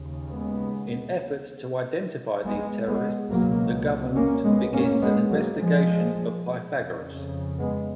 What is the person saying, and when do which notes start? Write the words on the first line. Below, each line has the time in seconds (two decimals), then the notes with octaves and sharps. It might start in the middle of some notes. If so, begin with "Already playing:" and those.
In efforts to identify these terrorists, the government begins an investigation of Pythagoras.
Already playing: D#2 C#3
0.30 G#3 B3
2.45 G#3 B3
2.87 G#3 B3
3.30 C#2 B2 F#3 A#3
4.16 A#3 C#4
4.44 G#3 B3
4.73 A#3 C#4
5.01 G#3 B3
5.30 F#3 A#3
5.58 F3 G#3
6.73 F2 C#3
7.59 G#3 B3